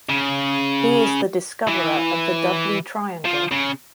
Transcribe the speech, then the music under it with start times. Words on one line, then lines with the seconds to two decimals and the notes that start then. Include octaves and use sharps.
He is the discoverer of the Dudley triangle.
0.09 C#3
1.67 E3
3.25 F3
3.51 C#3